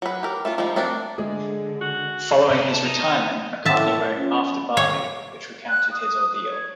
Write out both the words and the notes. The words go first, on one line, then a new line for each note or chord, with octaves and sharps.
Following his retirement, McCartney wrote "After Bali", which recounted his ordeal.
F#3 B4
G4 A#4
A3 C#4 F4
F3 G3 G#3 D#4
A3 C4 D4 A#4 D5
D3 G#3 G#4
F#4
C3
A5
D#4
A2 E5 A5
F3 C#4
C#5
F#6
D#6
C#5